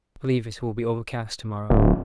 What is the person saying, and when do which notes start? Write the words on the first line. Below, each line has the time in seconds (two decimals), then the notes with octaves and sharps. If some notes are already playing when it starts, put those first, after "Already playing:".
I believe it will be overcast to-morrow.
1.70 D1